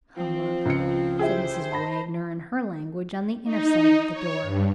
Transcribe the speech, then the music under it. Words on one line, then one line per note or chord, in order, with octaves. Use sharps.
"Humbug!" said Mrs. Wagner in her language, on the inner side of the door.
F3 C4
C#2 C#7
E4 G4 G#4 C5
A5 B5 A#6
D#4
C#5
G2